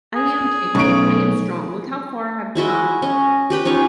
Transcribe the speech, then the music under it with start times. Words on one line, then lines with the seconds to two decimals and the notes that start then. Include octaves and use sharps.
"I am capable, I am strong, look how far I have come,"
0.16 G#4
0.75 B1 A3 C#4 C#6 D7
2.55 G#3 E4 F#4 D#5
3.02 C#4 D#5
3.50 G4 B4 G5
3.65 C#4 D#4 F4 C#5